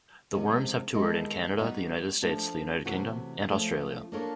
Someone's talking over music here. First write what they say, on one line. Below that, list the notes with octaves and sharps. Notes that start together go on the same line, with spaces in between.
The Worms have toured in Canada, the United States, the United Kingdom, and Australia.
C3 F3 G#3 C#4
D#3 G#3 B3 E4 A4
G3 B3 D#4 F#4
F3 A3 D4
C3 E3 A3 C#4 F#4
F3 A3 C#4 F4
A#3 D4 F4 A4 C#5